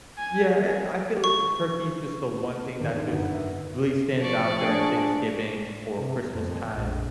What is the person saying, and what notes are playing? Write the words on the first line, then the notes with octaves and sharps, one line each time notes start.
Yeah, I I feel turkey’s just the one thing that just really stands out during Thanksgiving or Christmas time
G#5
C#6
D#1 G#2 D3 A#4 D7
F#2 B3 E4 B4 F#5
G4 A#4 D#5 E5 F#5
F3 D5 C#6
D4 G#4
C3
F2
A#1